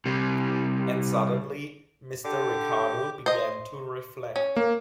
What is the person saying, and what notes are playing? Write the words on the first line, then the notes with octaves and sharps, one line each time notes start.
And suddenly, Mr. Ricardo began to reflect.
C3 G3
D3 G4 D6
C5 D#5
C#4
A#3